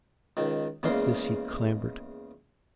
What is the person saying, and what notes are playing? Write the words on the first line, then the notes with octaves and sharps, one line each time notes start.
Up this he clambered.
C#2 D#3
E2 C#3 G#3 A#3 C6